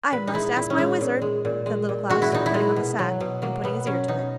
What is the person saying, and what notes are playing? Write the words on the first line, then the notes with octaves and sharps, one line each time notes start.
'I must ask my wizard,' said Little Klaus, treading on the sack and putting his ear to it.
A#2 B4
D#4
G#3 E4
A#2 E4
C#4
G#3 D#4
A#2
G#3
A#2
G#3
A#2
G#3 F#4
E4
A#2 D#4
E4
G#3
B2
F#3
B2
F#3 A#3
B2 B3
F#3 C#4
B2 D#4